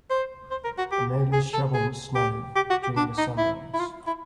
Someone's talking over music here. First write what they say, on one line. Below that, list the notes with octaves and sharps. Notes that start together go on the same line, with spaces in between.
A man is shoveling snow during a sunrise.
C5
C5
A#4
F#4
G4
G#4
A4
G#4
G4
G4
F#4
G4
D4
D#4
E4
E4
F4
E4